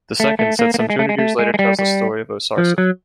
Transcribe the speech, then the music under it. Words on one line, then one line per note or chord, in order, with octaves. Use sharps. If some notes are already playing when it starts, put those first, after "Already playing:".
The second, set some two hundred years later, tells the story of Osarseph.
A3
A3
A#3
A#3
A3
G#3
A3
G#3
A3
G#3
G#3
G3
G3
F3
F#3